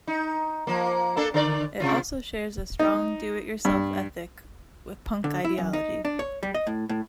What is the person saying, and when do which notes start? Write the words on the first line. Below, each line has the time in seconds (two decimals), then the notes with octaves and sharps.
It also shares a strong do-it-yourself ethic with punk ideology.
0.07 D#4
0.67 F3 A#3
1.17 A#3 D4 A4
1.34 D3 A#4 D5
1.80 C3 F#3 F4
2.79 D#4
3.65 G2
5.24 D3
5.45 E4
5.58 F#2
5.73 D#4
6.05 D4
6.19 C#5
6.43 G3
6.54 D#5
6.67 A2
6.89 A2